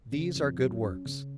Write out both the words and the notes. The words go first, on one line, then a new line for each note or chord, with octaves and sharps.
These are good works.
C#3
F2
F#3
C#4
C#3